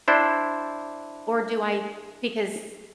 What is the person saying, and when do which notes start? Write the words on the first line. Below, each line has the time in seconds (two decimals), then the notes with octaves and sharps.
or do I because
0.08 D4 E4 C5